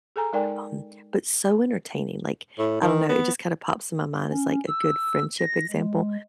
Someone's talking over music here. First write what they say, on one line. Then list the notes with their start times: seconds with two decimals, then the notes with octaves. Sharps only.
um, but so entertaining, like, I don't know, it just kinda pops in my mind as like a good friendship example,
0.16 G#4 A4 G#5 A#5
0.33 G#3 D#4 A#4 D5 G5 G#5
2.59 A2
2.82 D#3
3.09 B3
4.31 C#4
4.67 E6
5.38 A#6
5.71 G#3